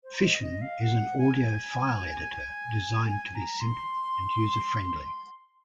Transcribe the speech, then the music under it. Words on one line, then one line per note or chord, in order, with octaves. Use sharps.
Fission is an audio file editor designed to be simple and user-friendly.
C5
D#5
D#5
F5
F#5
G#5
G#5
A#5
C6